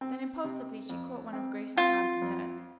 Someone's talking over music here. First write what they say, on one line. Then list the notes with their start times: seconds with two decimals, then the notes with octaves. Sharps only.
Then impulsively she caught one of Grace's hands in hers.
0.01 C4
0.44 C3
0.89 F2
1.33 C4
1.77 C4 F4
2.22 F2